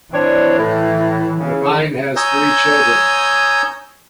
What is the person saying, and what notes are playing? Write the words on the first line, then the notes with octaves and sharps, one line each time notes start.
Levine has three children.
E3 C4 D4 C#5
A2
C#3 E3
C#5 G#5 A#5 D#6 E6 G6